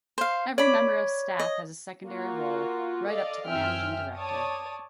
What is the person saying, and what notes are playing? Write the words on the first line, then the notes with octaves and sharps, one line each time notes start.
Every member of staff has a secondary roll, right up to the Managing Director.
C5 F5
C#5 D5 B5
D#5
A#3 F4 F#4
A4 D5 D#5 F5
F#2 C4 E5 G5 G#5 F6
C#5 D5 A5 D#6